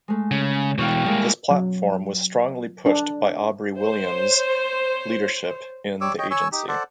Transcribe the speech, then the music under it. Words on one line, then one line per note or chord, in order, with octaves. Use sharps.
This platform was strongly pushed by Aubrey William's leadership in the agency.
G#3 A3
C#3
B2 E3 C#5 F5 G5
G3 G#3 A#3 E4
F#3
D4
C5 C#5
G3 C#5 D6 E6
C#5 D#5 G5
C#5 G#5 C#6 E6
D#4 G4
A4 C5 D5 F#5